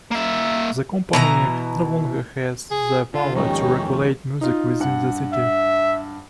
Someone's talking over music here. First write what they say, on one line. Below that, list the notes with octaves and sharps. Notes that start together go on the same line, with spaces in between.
The Company no longer has the power to regulate music within the City.
A#3 E5
B2 E3 A#5
G#4
D3 F4
D#2 G#2 F3 C#4 D#4 G4 C#6
D#4 F4
G2 F#5
E5